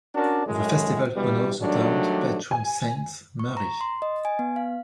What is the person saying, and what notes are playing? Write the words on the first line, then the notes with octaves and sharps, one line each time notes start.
The festival honors the town's patron saint, Mary.
C#4 D4 F#4 A#4 D5 A5
F#2 A2 G#3
G2 B2 E3 G3
D#3 F#3 G3 A3 D4
G#5
C#6
A#5
C6
D#5
G#5
B3
F5